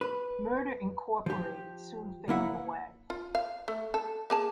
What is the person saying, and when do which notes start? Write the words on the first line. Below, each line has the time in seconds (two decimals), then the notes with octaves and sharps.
Murder, Incorporated soon faded away.
0.01 B4
1.26 F3 G4
2.28 C#2 A#3 E4 F#5
3.10 F4
3.35 F5
3.68 A3
3.94 A4
4.30 A#3 G#4 A5